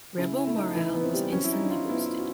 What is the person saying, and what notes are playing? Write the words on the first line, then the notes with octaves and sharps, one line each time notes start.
Rebel morale was instantly boosted.
C#3 E4
E4
A3
D#4
E3 E4
B3
C4
G3
F#3 C#4
E4
D#4
D4
F4
B3 E4
F4
E4
F#4